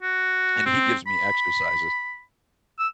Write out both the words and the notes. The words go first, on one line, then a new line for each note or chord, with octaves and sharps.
And he gives me exercises.
F#4
C4
B5
E6